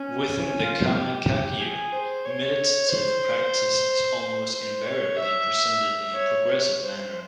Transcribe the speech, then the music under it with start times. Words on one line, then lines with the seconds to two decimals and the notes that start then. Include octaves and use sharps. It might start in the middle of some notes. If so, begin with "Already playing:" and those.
Within the Karma Kagyu, meditative practice is almost invariably presented in a progressive manner.
Already playing: C#4
0.30 C#4
0.62 F4
0.95 G4
1.60 G#4
1.92 C5
2.25 C#5
2.89 C5
4.19 C5
4.52 C5
4.85 C#5
5.17 E5
6.14 C#5
6.80 C5